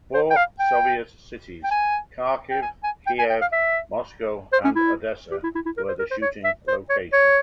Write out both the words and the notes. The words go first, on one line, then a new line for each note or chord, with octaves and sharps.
Four Soviet cities - Kharkiv, Kiev, Moscow and Odessa - were the shooting locations.
C5
G5
F5
G5
G5
G#5
G5
G#5
G#5
G5
G#5
G5
F5
E5
C5
C#4
E4
G4
E4
E4
E4
A#4
C5
A#4
C5
C#5
E5
C5
C#5
C#5